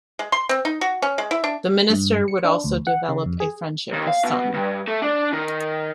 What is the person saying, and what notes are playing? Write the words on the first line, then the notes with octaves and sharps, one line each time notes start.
The minister would also develop a friendship with Sun.
G#3
C6
C4
D#4
F#4
C#4
G#3
E4
D4
G2
C#7
D4
D2
F#5
C#3
F2
G#4
D#2
F5
B2
G2
A3
D4
D#3